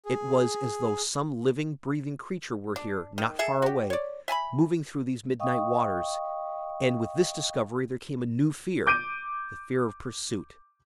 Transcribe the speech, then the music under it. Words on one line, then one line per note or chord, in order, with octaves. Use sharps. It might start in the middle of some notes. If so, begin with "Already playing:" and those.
It was as though some living, breathing creature were here, not far away, moving through these midnight waters; and with this discovery there came a new fear--the fear of pursuit.
G#4
D4
D#3
G#4 A4 E5
F#4 G4
C#5 D5
E5 G#5 A5 B5
D#5 F5 G5 C#6 D#6
D6 G6 D7 D#7